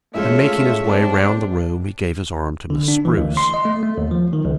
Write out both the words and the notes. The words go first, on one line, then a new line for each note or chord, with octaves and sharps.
Then making his way round the room, he gave his arm to Miss Spruce.
G#3 A3 C#4 F4 G#4 C#5 E5
C4 D4
D3
D4
E3
D2
C6
D#5
A3
A3
D#2
F3
D#3
C#2